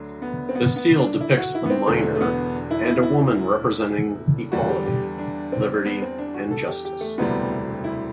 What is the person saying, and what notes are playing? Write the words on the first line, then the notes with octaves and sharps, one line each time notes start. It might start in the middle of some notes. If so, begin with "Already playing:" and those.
The seal depicts a miner and a woman representing equality, liberty and justice.
Already playing: D2 D3 F#3
B3
C4
B3
B3
D4
E4
F#4
E4
B3
C4
E1 E2 D3 A3
A3
B3
E4
E4
E4
E2 D3 G3 F#4
G4
G4
D4
C4
B3
C4
D4
F#4
A4
G4
G4
A3
E1 D2 C3 E3 G3 B3
E4